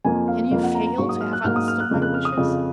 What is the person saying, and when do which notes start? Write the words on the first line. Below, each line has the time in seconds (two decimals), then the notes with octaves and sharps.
Can you fail to have understood my wishes?
0.05 F2 F3 A#3 G#5
0.28 F5
0.51 F2 F3 A#3 F5
0.63 F#5
0.75 A#5
0.86 A#5
0.98 G#2 F#3 A#3 C#6
1.09 D#6
1.21 F6
1.33 F#6
1.44 G#2 F#3 A#3 F6
1.56 D#6
1.68 F6
1.80 F#6
1.91 F2 C#3 F3
2.02 F#6
2.14 F6
2.25 D#6
2.37 F2 C#3 F3